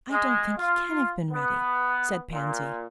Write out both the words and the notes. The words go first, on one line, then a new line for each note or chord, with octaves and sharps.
"I don't think he can have been ready," said Pansy.
G#3
F4
B3
A#2